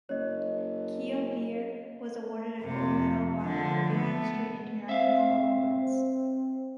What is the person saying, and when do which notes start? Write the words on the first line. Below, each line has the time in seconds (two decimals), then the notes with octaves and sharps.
Keo beer was awarded a Gold Medal by the Brewing Industry International Awards.
0.09 F#1 C#5 D#5
2.62 F2 C3
3.42 D3 F3
3.90 A3 B3
4.89 C4 E5 F5